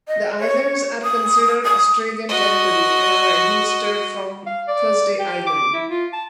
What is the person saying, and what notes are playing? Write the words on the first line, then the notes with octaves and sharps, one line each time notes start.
The islands are considered Australian territory and are administered from Thursday Island.
D#5
C#5
D#6
D#6
F#4 D#5
F5
D5
G4
D6
E4
F4
A5